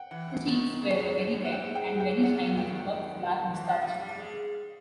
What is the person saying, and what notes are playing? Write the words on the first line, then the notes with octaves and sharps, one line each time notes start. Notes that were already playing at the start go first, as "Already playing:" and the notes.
His cheeks were very red and very shiny above his black moustache.
Already playing: F#5 G5
E3 F#5
D#3
C#3
A2
G#2
G2
F#5
G#2 G5
G5
G5
G#2
A2 F#5
F5
A#2
G5
D#3
F#5
E3
F3 F5
G3
G3
G#3